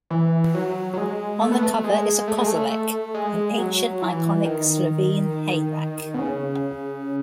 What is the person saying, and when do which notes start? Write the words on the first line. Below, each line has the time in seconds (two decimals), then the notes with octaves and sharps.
On the cover is a kozolec, an ancient iconic Slovene hayrack.
0.10 E3
0.55 F#3
0.93 F#3
0.97 G#3
1.41 A3
1.52 B3
1.63 A3
1.84 G#3
2.28 A3
2.37 G#3
2.46 A3
2.71 A3
3.14 G#3
3.58 F#3
4.02 E3
4.45 D#3
6.14 B2
6.19 C#3